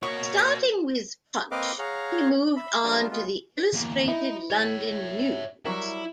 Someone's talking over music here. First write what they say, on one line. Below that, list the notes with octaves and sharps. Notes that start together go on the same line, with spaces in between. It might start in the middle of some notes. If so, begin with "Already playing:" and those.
Starting with "Punch", he moved on to the "Illustrated London News".
A#3 F#4 C#5 D#5 C#6
A#3 C4 B4 D#5 F5 D6
G#4 C#5 F5 F#5 A#5
E5 B5
F3 G3 A3 B3 D4 F4
G#3 B3 F4
E2 A#3
D#4 E4
C#5 E5
F#3 G3 E4 A#4